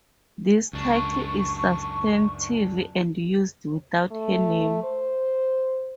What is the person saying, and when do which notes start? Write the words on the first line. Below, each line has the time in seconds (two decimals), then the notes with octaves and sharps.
This title is substantive and used without her name.
0.73 C#2 F#2 D4 C#6
4.11 A3
4.83 C5